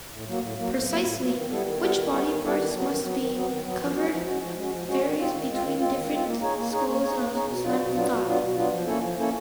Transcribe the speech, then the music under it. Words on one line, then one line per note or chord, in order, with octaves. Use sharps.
Precisely which body parts must be covered varies between different schools of Islamic thought.
A2
F#3 A#3
A2
F#3 A#3
A2
F#3 A#3
A2
F#3 A#3
D#3
G3 B3 E4 A4
D#3
G3 B3 E4 A4
D#3
G3 B3 E4 A4
D#3
G3 B3 E4 A4
D#3
F#3 B3
D#3
F#3 B3
D#3
F#3 B3
D#3
F#3 B3
F3
G#3 C#4 F#4
F3
G#3 C#4 F#4
F3
G#3 C#4 F#4
F3
G#3 C#4 F#4
D#3
G#3 C4 F4
D#3
G#3 C4 F4
D#3
G#3 C4 F4
D#3
G#3 C4 F4
A#3
D#4 G#4 C#5
A#3
D#4 G#4 C#5
A#3
D#4 G#4 C#5
A#3
D#4 G#4 C#5
B2
F#3 B3 D4 F4
B2
F#3 B3 D4 F4
B2
F#3 B3 D4 F4
B2
F#3 B3 D4 F4
F3
A#3 C#4 E4 A4
F3
A#3 C#4 E4 A4